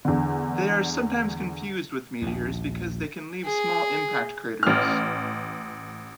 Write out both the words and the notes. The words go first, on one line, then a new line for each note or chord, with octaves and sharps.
They are sometimes confused with meteors because they can leave small impact craters.
E2 D3
A#1 D#2
G#4
A1 F6